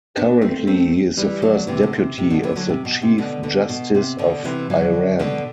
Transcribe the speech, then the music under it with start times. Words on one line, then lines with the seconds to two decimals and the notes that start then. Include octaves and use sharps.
Currently he is the first deputy of the Chief Justice of Iran.
0.17 B3 D4
0.42 A3 C4
0.67 A3 C4
1.17 E3 G3
1.42 D3 F#3
1.67 C3 E3
1.83 D3
1.93 C3
2.18 C3
2.30 B2 D3
2.43 C3 E3
2.56 D3 F#3
2.69 C3
2.85 B2
3.02 C3
3.18 B2 D3
3.43 B2 D3
3.69 B2
3.94 C3
4.18 B2 D3
4.45 C3 E3
4.70 D3 F#3
5.19 B2 D3